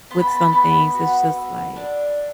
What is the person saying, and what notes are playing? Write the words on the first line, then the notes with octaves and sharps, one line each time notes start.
with some things, it's just like
B3 C6
B5
A5
B5
B3
F#4
A4
D4